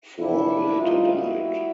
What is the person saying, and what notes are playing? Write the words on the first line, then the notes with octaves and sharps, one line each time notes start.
Four later died.
E2 C3 F3 D4 E4
G#2 E3 G3 D#4 F4
E4 F#4
G3